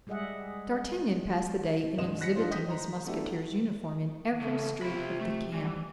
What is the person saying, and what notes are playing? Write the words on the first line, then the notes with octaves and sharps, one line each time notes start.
D'Artagnan passed the day in exhibiting his Musketeer's uniform in every street of the camp.
G3 G#3 G#4 D#5 E5 F#5
C2 G2 G#3 C4 D#5 E7
F#6 A#6 B6 C#7
F3 D4 D#4 F4 C5
D#5 G5 D#6 G6 B6
C5 A#5 C6
A3 B3 D4 E4 F#4 G4
C#3 E3 A3
C3 F4 B5
A3
E3 G3